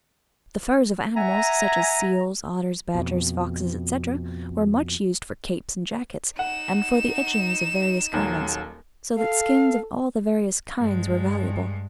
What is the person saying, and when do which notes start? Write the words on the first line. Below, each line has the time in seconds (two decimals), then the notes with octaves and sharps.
The furs of animals, such as seals, otters, badgers, foxes, etc., were much used for capes and jackets, and for the edgings of various garments, so that skins of all the various kinds were valuable.
1.17 E5 F#5 G#5 A#5
2.95 F2 B2
6.39 D#4 F#5 E7
8.13 D#1 D#2 F#3
9.17 A4 F5
10.79 G2 G#3